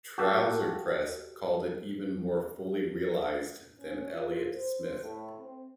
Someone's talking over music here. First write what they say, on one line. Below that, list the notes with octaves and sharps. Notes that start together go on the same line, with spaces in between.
"Trouser Press" called it "even more fully realized" than "Elliott Smith".
F#4 G4 A4 F5
C#4
F4
C5
A2
C4